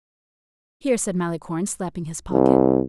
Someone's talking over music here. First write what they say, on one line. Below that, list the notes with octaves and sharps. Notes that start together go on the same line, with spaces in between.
"Here," said Malicorne, slapping his pocket.
C2